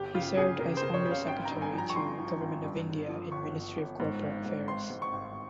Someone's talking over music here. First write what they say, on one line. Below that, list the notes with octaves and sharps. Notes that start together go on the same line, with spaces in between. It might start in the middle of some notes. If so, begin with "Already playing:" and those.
He served as Under Secretary to Government of India in Ministry of Corporate Affairs.
Already playing: G1 G4
C#3 F4
C#3 G#4
C#3 A#4
C5
C#3
C#5
C#3
F5
G#1 G5
A#5
G2
G#5
F3
A#5
C#6
G2 C6
F3
G#1
G2
G1
F3
G1 C#6
G1
G1
G#2
G#1
G#2
G#1 C6
G#2
C#6
G#1